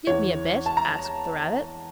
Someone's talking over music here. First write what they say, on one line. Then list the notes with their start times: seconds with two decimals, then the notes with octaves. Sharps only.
'Give me a bit,' asked the rabbit.
0.07 E2 E3 C#5
0.66 A5
0.77 A#5